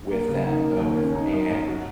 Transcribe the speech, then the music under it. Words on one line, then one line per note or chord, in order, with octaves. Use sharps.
with them both, and
A#3
C#3
D#4
A#3
D#2
C#4
D#4
F#2
F#2
F#4